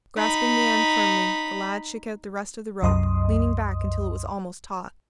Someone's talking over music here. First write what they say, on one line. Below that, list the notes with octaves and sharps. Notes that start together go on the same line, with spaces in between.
Grasping the end firmly, the lad shook out the rest of the rope, leaning back until it was almost taut.
D#4 B5
C2 F#2 D#5 C6 D#6